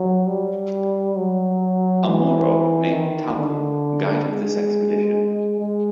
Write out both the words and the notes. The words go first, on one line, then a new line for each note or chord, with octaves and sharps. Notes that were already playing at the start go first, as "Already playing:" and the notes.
A Moro named Talcum guided this expedition.
Already playing: F#3
G3
F#3
E3
D#3
D3
G#3
G#3